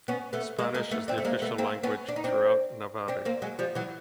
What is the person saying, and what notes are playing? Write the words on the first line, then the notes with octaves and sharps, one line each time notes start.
Spanish is the official language throughout Navarre.
B3 C#4
A3 B3
G#3 A#3
G#3 A#3
A3 B3
C4 D4
A3
G#3 A#3
A3 B3
A#3 C4
B3 C#4
D4
D#4
C4 D4
C4 D4
A#3 C4
F#3 G#3
F3 G3
E3 F#3